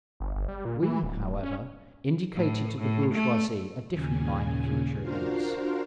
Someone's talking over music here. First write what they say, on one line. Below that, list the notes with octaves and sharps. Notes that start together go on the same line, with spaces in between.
We, however, indicated to the bourgeoisie a different line of future events.
G1
G1
G3
A#2
E3
D1
C#4
A2
A2
A3
D#2 A#2 C#3 G#5
D4 F4 F#4 A#4 C5 F5